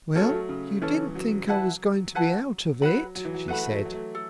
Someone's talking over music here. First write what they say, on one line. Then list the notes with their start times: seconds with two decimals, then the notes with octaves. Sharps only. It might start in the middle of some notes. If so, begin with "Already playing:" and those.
"Well, you didn't think I was going to be out of it," she said.
0.15 F#3 C#4 A4 C#5
0.22 A3
0.29 F#3
0.49 C#3
0.82 E3 C#4 A4 C#5
1.15 F#3
1.48 E4 B4 F#5 A5
2.15 E4 B4 F#5 A5
2.82 F#3 B4 F#5 B5
3.15 F#3
3.25 E3
3.34 F#3
3.48 A3 B4 F#5 B5
3.64 A3
3.70 F#3
3.85 F#3
3.92 A3
4.15 A4